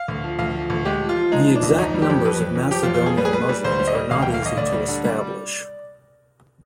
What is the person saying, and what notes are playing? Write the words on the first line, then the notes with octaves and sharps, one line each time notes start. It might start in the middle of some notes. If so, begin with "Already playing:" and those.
The exact numbers of Macedonian Muslims are not easy to establish.
Already playing: F5
D2
F3
D2 F5
F3
D2
G#3 G4
F3
F4
F3
G#3 D#4
F3
D4
D2
F2 D#4
G3
G4
F2
F2 B4
F2
F2
F2 G4
F4
F2
F4
F2 G#4
G3 B4
G#4
G3 B4
G3
D2 C5
G3
D#5
G3
D2 F5
D2 G5
F5
D2 D#5
D2 D5
G3
D3
G3